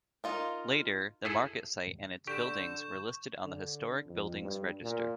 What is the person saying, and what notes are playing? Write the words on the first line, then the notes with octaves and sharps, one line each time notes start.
Later, the Market site and its buildings were listed on the Historic Buildings Register.
D#4 F4 A#4
E4 G#4 A4
D3 G4 C#6 G6 E7
D3
F2
G2
A#2